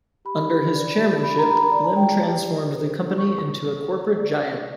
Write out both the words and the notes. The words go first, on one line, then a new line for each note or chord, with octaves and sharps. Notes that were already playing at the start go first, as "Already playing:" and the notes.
Under his chairmanship, Lim transformed the company into a corporate giant.
G4 B5
G4
D5
G4
D4 B5
A#5
A#4 B5
D5 A#5
A5
F4 G5
A5
G4
G4
C5
A4
D#4 C#6
C#5
A4
C5
D5
D5